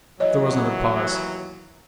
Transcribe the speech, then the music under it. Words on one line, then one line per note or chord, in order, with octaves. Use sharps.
There was another pause.
D#2 E3 F#3 C#5 D#5